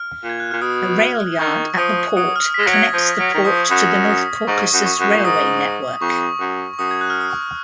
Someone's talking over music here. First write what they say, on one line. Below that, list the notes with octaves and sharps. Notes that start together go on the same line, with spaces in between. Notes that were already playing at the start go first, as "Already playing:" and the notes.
A railyard at the port connects the port to the North Caucasus Railway network.
Already playing: F6
A#2
G#6
F#6
A#2 F6
B2 D#6
D#3 C#6
F3 D#6
F#3 D#6
F6
G#3 B6
F#3 A#6
G#6
F3
F#3 F6
D#3 C#6
F3 D#6
C#6
F#2 D#6
D#6
G#2 C#6
F#2
C#6
F#2
A#2
G#2 D#6
F2 C#6
F#2
C#6
F#2 D#6
G#6
F#6
F6
D#6
C#6